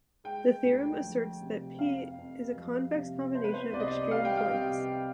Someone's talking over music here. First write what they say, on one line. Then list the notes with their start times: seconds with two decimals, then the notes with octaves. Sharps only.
The theorem asserts that "p" is a convex combination of extreme points.
0.24 G#3 G5
0.63 D2
1.01 F3
1.41 C3
1.79 F2 F5
2.18 F2
2.57 F3
2.95 C3
3.35 B3 C5
3.44 B4
3.54 C5
3.73 C2 D5
3.80 D#5
3.88 D5
4.11 G3 F5
4.25 G5
4.37 F5
4.50 C3